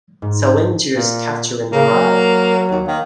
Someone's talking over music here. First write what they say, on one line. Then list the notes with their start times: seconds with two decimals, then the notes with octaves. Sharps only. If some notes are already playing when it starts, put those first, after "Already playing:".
Salinger's "Catcher in the Rye".
0.22 G#2
0.95 A#2
1.73 C#3 A#3
1.91 F#3
2.71 D#2
2.87 D#3 A#3